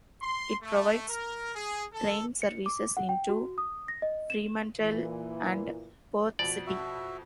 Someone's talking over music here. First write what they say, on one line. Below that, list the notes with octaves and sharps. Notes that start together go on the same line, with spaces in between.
It provides train services into Fremantle and Perth City.
C6
A3
A#4
G#4
A4
C#7
D6
F#5
G5
F#4
D#6
A#6
D#5
E7
A#2 E3
F2 B2 D5
F#4 E5